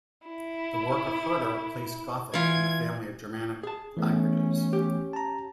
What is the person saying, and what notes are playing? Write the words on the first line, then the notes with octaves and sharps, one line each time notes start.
The work of Herder placed Gothic in the family of Germanic languages.
E4
E3 F4 G#6
G#4 A5
E3 A3 B3 C#4
G4
A5 A#5